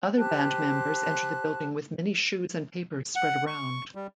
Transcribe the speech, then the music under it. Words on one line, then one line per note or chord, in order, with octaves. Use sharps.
Other band members enter the building with many shoes and papers spread around.
G4 C5 A5 F#6
F#5
C#6
G3